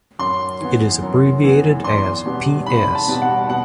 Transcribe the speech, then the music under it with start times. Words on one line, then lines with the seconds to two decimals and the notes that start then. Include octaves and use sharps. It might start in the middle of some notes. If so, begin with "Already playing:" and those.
It is abbreviated as "ps".
0.19 F#2 C6
0.61 E3 B3
1.02 F#2
1.44 E3 B3
1.84 E2 C6
2.25 B2 G3 B3
2.66 E2 B5
2.95 A5
3.08 B2 G3 B3
3.22 F#5
3.49 B2 F#5